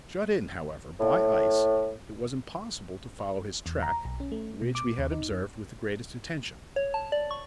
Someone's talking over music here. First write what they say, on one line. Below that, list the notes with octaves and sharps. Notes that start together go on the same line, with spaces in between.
Shut in, however, by ice, it was impossible to follow his track, which we had observed with the greatest attention.
A2
E2
A#5
B1
C#4
A3
B2
D6
D#2
D#4
F#2
C#5
A5
D5
C#6